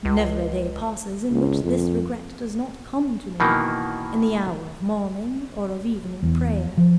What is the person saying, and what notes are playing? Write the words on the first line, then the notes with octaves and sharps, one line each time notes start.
Never a day passes in which this regret does not come to me, in the hour of morning or of evening prayer.
C#2
C#2
F2
B2 D#3 E3 A#3
E2
F3